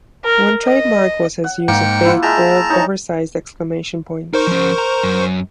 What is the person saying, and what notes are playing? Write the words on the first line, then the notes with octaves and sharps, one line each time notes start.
One trademark was his use of big, bold, oversized exclamation points.
A#4
D#5
F#5
G#2 A#3 G5 C#7
E4 F4 F#5
G#3 E5 G5 A5 A#5
D#4 C#5
D#4 A#4 C5 C#6
F3 C#4
A#5
F#2